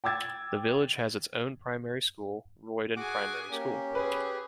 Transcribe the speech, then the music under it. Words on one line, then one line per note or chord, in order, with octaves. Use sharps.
The village has its own primary school, Roydon Primary School.
G5 D6 E6 G#6 A6
F#4 G#4 F#5 G#5 D6
A#3 C#4 G4
G#4 B4